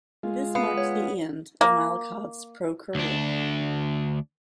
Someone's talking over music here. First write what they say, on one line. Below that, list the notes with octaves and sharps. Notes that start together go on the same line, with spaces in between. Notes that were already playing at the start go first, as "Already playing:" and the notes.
This marked the end of Malakhov's pro career.
G#3 F4
B3 F5
C#5
A#3
D2 D4